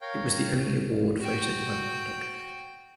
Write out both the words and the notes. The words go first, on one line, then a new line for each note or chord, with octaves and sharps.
It was the only award voted by the public.
A#4 C#5 F5 G5
F#4 G5